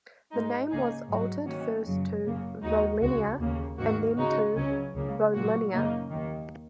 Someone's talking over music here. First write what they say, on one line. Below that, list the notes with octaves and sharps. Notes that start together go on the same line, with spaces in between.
The name was altered first to "Volenia" and then to "Volinia".
G#2 G#3 D#4
C#2 C#3 A#3 D#4 G#4
G#2 F#3 D#4 F#4
D#3 A#3 C#4 F#4
F#2 C#3 F#3
F#2 C#3 A#3
D#2 D#3 G#3 D#4 F#4
C#2 C#3 G#3 F#4
D#2 C#3 A#3
G#2 D#3 A#3 F#4
C#3 G#3 D#4 F#4
C#2 C#3 F#3 C#4
C#2 C#3 A#3
A#2 F#3 A#3 F#4
F#2 C#3 A#3 D#4
D#2 D#3 A#3